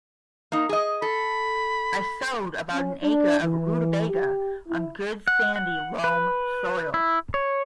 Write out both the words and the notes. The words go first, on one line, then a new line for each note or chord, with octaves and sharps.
I sowed about an acre of rutabaga on good sandy loam soil.
A#3 D#4
G#4 D#5
A4 B5
C#4
D4
E3
G4
E4
F#5
F#5
B4
E4
C#5